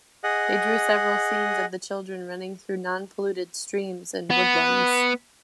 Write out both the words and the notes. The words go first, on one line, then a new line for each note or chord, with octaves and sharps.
They drew several scenes of the children running through non-polluted streams and woodlands.
G#4 D#5 F#5
B3